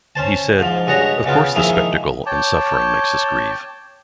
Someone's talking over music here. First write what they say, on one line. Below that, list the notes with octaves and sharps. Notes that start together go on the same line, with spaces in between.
He said: Of course the spectacle and suffering makes us grieve.
C#4 C5 A5
G#2 F3
G2 G#3 F#4 C#5 A#5
C#3 B3 F4
D#3 F3 G#3 A#3 E4
C#5 G5 A5 D6